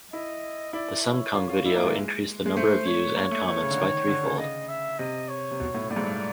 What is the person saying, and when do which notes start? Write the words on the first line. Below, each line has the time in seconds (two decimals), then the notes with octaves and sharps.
The Sengkang video increased the number of views and comments by threefold.
0.13 E4 D#5
0.73 E4 D5
1.04 C#5
1.34 F4
1.49 F4
1.65 E4 D5
1.75 A#3
1.85 G#3
2.46 G#3
2.57 A3 C5
2.86 C#5
3.16 A#3
3.32 A3
3.47 A3 C#5
3.63 C#3
3.70 D3
3.78 D#3
4.08 D3
4.24 C#3
4.38 D#5
4.68 E5
4.99 C3 D#5
5.29 C#5
5.51 C3
5.60 B2
5.75 A2
5.90 A2 D5
5.96 G#2
6.04 G2